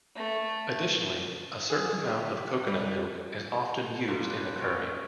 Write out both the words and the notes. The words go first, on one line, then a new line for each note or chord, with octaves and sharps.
Additionally, a certain amount of coconut milk is often used in the curry.
A3
G#4
G4
G3
B2 A#3 F4 A4
C#3 B4 C5
C#5 G5
A3